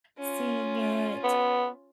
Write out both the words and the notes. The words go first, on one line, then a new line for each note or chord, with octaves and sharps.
seeing it,"
C#4 F4
B3